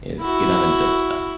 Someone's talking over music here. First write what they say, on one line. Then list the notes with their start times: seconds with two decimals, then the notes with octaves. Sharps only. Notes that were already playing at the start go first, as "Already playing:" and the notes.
is get on and build stuff,
0.21 E4 F#4